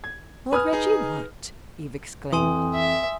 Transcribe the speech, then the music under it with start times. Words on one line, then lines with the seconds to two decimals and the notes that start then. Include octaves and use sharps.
"Lord Reggie what!" Eve exclaimed.
0.04 G#6
0.53 B4 G#5 D#6 F6
0.73 D#4 G#4
2.32 F2 E3 G#5 C6 D#6
2.74 E5